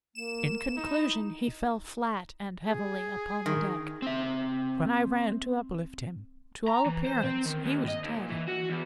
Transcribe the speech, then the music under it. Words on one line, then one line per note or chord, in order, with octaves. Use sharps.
In conclusion, he fell flat and heavily upon the deck. When I ran to uplift him, to all appearance he was dead.
A#3 E7
D#4 E4
G#4
D#3
C4 E5
A#5
E3
C5
C4
D#3
D#2
D#5
D#2
A#2
E3
F#4
E2